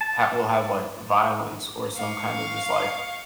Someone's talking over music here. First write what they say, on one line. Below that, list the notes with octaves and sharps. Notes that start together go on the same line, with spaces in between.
ha will have, like, violence or some kind of just, like,
A5
F5 C#6